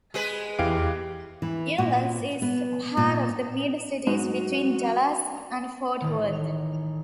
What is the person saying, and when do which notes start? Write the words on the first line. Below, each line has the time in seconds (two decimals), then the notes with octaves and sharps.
Euless is part of the Mid-Cities between Dallas and Fort Worth.
0.14 G#3 G#4 B4
0.59 E2 E3 G4 F5 D7
1.42 E3
1.78 A#2
2.42 B3
2.97 A#2
4.07 G#2 F#3 F#4
6.01 A1 D#3